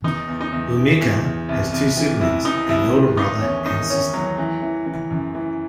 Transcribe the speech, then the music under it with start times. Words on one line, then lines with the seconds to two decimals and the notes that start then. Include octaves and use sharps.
Bhumika has two siblings, an elder brother and sister.
0.04 E2 D#4
0.28 E2
0.41 D#4
0.52 E2
0.76 E3
1.00 E2
1.25 E2
1.49 C2
1.73 C2
1.97 E3
2.21 C3 E4
2.45 E3 D#4
2.69 C2 E4
2.93 D#3
3.17 D#3 D#4
3.41 E2 C#4
3.66 D#3 D#4
3.90 D#3 C#4
4.14 E2 F#3
4.38 E3
4.62 E3
4.86 E3
5.10 F#2
5.34 E3